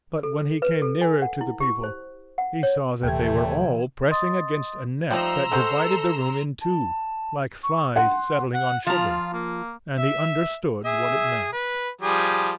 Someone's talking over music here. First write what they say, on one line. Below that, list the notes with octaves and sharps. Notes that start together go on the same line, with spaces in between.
But when he came nearer to the people, he saw that they were all pressing against a net that divided the room in two, like flies settling on sugar, and he understood what it meant.
A4
B4
A4
G#5
F#5
E4
G4
C5
F#5
C#5
D#1 C3 E3 A3 G5 G#6
D#5 C6 D#6 A6
F3 G3 A3 D#4 A#5 C6 E6
G#3 F#4 A4 C5
A5
C#6
F#5 C6
F#5
F3 F4 A#5
A#3
E5
G#4 E5
B4
F3 G3 G#4